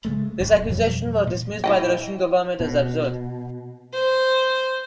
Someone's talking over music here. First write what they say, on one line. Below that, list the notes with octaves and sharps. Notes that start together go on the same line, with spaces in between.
This accusation was dismissed by the Russian government as "absurd".
C#3 G#3 A3
E1 F#2 A2
F2 B2 E3 G3
A#2
E4 D#5 G5
B2
C5